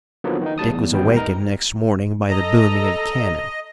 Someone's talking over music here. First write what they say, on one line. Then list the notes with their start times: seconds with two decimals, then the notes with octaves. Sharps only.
Dick was awakened next morning by the booming of cannon.
0.24 D3 D#3 F3 F#3 A#3 B3
0.42 D#3 D#4
0.58 A2 G3 A5 D#6
0.71 E2
0.91 G#1 D2 G3 B3 G5
1.16 D#4 A#4 A#5
2.30 A4 D#5 A#5